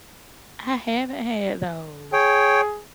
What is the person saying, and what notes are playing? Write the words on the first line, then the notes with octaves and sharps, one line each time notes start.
I haven't had those.
G#4 C#5 G5